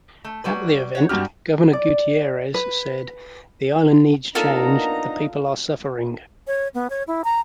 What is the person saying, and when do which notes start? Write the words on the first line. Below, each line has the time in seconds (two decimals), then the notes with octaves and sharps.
At the event, Governor Gutierrez said, The island needs change; the people are suffering.
0.25 A3
0.44 F#3 G3 B4
0.95 C#5 F#5
1.09 G2 C4 F#4 G4 F6
1.73 D5
2.54 B4
4.35 A#3 B3 D4 D#4 F4 A4 D#5 A#5
6.47 C#5
6.74 B3
6.90 C#5
7.07 E4
7.24 A#5